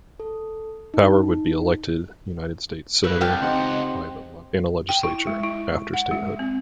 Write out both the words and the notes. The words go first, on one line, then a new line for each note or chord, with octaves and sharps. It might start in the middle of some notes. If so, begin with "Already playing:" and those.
Power would be elected United States Senator by the Montana Legislature after statehood.
A4
D#4
A3 A#3 B4 F#6
C2 F5 G5 A5
C#2 C4 D#4 G4 D#5 F#5
G5
E4
G#3
E4
F#5
G#3
C4